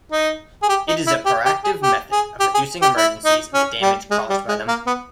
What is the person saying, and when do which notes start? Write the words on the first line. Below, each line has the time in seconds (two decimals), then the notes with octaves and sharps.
It is a proactive method of reducing emergencies and the damage caused by them.
0.12 D#4
0.63 G#4
0.69 G4
0.88 D#4
1.07 E4
1.26 G4
1.45 G4
1.64 G#4
1.83 G4
2.12 G#4
2.40 G4
2.54 G#4
2.82 G4
2.97 E4
3.25 D#4
3.54 C#4
3.82 G3
4.11 G#3
4.30 G3
4.49 G#3
4.68 A#3
4.87 B3